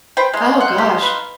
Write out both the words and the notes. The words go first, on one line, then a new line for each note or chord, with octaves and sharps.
Oh gosh.
B4 C5 G5
G#3 D#4 F5 C6
F#5
G4
B4